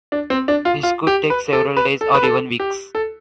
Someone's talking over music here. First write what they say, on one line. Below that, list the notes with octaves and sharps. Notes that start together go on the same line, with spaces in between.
This could take several days or even weeks.
D4
C4
D4
F4
F4
G4
B4
A4
B4
A4
B4
A4
G4
A4